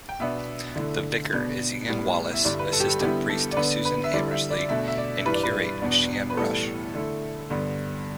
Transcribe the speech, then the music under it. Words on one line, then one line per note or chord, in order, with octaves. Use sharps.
The vicar is Ian Wallis, assistant priest Susan Hammersley and curate Shan Rush.
G5
B2 B3 D4 E5
D3 A3 E4
B2 B3 D4
A2 G3 B3
E5
G2 D3 G3 E4 D5
B4
A4
G4
A4
D3 G3 B3 E4 G4
A4
D5
D3 B3 D4 B4
B4
E5
D3 G3 E4 D5
E5
D5
B2 A3 D4 E5
E5
D5
G2 E3 G3 D4 B4
D5
B4
E2 B2 B3 D4
B4
A2 E3 G3 B3 A4
D3 A3 E4
G2 D3 B3